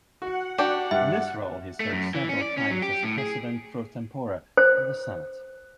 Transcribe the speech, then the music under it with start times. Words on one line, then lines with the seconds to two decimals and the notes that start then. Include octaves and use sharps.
In this role he served several times as President pro tempore of the Senate.
0.22 F#4 F#5
0.58 D4 F#4 G4
0.91 G2 E5
1.80 A3
1.93 F#2
2.15 E3
2.29 C#4
2.41 D5
2.57 C#4
2.71 F#3
2.82 G4
3.03 A2
3.18 G#4
4.57 C5